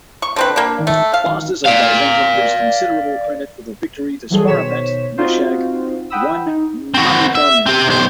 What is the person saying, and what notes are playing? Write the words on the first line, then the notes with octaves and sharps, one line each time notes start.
Faustus of Byzantium gives considerable credit for the victory to "sparapet" Mushegh I Mamikonian.
C#6
D3 C4 B4
A#3 D4
A3
F5
D5 F5
E3 F#3 G3 G#4 A4
B2 D#3 C5 C#5 B6 E7
C4 D#4 F4 F#4 C5
F#5 G5 B5 D#6 E6
D#4
C4 F#4
E5
C4 G4
B1 C5